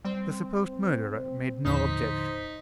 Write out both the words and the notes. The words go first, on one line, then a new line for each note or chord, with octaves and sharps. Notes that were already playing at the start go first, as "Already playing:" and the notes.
The supposed murderer made no objection.
G3 C4
D#2 A2 D3 F3 D#4 C5 B6